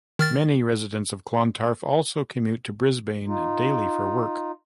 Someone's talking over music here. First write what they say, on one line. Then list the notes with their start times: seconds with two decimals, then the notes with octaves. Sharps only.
Many residents of Clontarf also commute to Brisbane daily for work.
0.19 D#3 F6 A6
3.27 D#4 F4